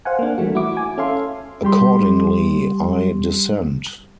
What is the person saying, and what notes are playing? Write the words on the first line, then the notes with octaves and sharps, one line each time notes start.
Accordingly, I dissent.
C5 F5 F#5 G#5
A#3 D4
E3 G3 A3 F#4
E4 F#4 D6
G#5
C#4 A4 E5 F5 C6
G3 G4 C6